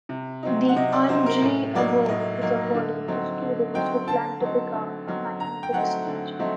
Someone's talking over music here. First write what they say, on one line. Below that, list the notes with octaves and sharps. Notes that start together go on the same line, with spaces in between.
The Andree award is awarded to students who plan to become a mathematics teacher.
C3
F#3 C4 D#4
F#5
C3 D#5
D5
F#3 C4 D#4 C5
A#4
A2
F#3 A#3 D#4 D5
A2 D#5
F#3 A#3 D#4
D3
F#3 C4 D#4
D3
F#3 C4 D#4 G5
D3 A5
F#3 C4 D#4
D3
F#3 C4 D#4
D3 A#5
G5
F#3 A3 C4 D#4 F#5
D3
F#3 A3 C4 D#4